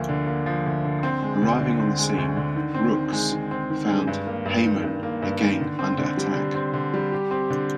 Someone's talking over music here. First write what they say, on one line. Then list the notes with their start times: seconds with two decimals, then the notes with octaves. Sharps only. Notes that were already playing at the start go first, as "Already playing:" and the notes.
Arriving on the scene, "Rooks" found "Hyman" again under attack.
Already playing: D2 F3 A#3
0.09 D3
0.27 A#3
0.46 F3
0.66 D2
0.85 D3
1.03 C4
1.22 G#3
1.41 D2
1.60 D3
1.80 C4
1.99 G#3
2.18 D2
2.37 D3
2.56 D#3
2.74 C4
2.93 D#3
3.13 G#3
3.32 D#3
3.51 C4
3.70 D#3
3.88 G#3
4.07 G2
4.27 A#3
4.45 G2
4.65 D#3
4.84 G2
5.03 A#3
5.22 G2
5.41 D#3
5.60 D3
5.79 C4
5.98 D3
6.17 G3
6.36 D3
6.55 C4
6.74 D3
6.94 G3
7.12 G4
7.31 C4
7.50 D3